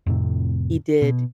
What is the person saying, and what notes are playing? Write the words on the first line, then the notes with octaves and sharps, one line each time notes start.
he did
F2 A2 C3
B2